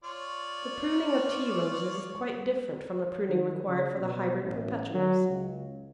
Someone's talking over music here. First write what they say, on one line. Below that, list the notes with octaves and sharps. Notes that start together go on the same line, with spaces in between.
The pruning of Tea Roses is quite different from the pruning required for the Hybrid Perpetuals.
F4 C#5 D5
D#3
C#3
B2
A1
F#3
C#2